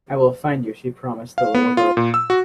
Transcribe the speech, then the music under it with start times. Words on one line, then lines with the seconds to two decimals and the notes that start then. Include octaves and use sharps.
"I will find you.", she promised the little girl.
1.38 F5
1.55 B3
1.77 F4
1.97 A#2
2.14 E6
2.30 F#4